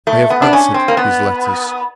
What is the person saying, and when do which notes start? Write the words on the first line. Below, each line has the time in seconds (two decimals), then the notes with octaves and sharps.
I have answered his letters.
0.07 A3
0.30 B3
0.42 D4
0.53 C#4
0.74 C4
0.88 A#3
0.97 B3